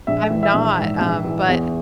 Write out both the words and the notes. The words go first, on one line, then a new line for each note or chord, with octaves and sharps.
I'm not, um, but, eh,
A#1 E5
E3
E5
A#1
G#2
A#1
E3
E2